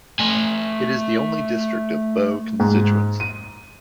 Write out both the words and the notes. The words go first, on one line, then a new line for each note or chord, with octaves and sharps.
It is the only district of Boe Constituency.
A3 G#5
G#2
D#7